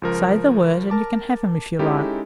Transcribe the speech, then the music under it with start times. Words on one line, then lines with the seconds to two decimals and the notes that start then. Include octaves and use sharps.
"Say the word, and you can have them, if you like."
0.02 C#2 F3 A#4
0.90 A#4 A5 D6
1.79 G#3 C#4 D#4 E4 G4 A4